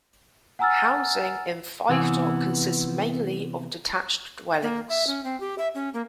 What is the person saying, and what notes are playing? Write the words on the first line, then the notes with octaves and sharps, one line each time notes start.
Housing in Five Dock consists mainly of detached dwellings.
F#5 G#5 A#5 E6 F6 A6
C3 E3 B3 G#4
A#3
E5
C#4
C4
G4
E5
C#4
A#3